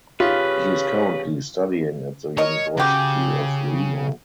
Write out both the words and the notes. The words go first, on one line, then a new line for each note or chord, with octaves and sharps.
He is currently studying at the University of Reno.
C#3 F4 G4 B4 F5
A#4 C#5 D#5
C#3 F#3 G4